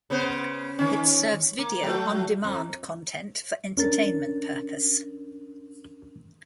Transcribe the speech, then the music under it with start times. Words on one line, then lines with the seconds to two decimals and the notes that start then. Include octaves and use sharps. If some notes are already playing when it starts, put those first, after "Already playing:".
It serves video on demand content for entertainment purpose.
0.10 C#3 B3 C5
0.79 D#3 C#4
1.59 A#3
1.83 F#3 A3
2.44 F2
3.77 E2 C#4 D4 A#4 A6